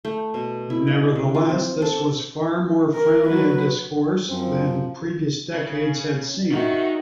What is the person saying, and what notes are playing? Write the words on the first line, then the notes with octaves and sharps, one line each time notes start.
Nevertheless, this was far more friendly a discourse than previous decades had seen.
A3
B2
E4
D#5
D3
F4
C4
A4
A#4
F#3 B4
F#2 F3 C4
C#3
D#3 D#4 F#4 E5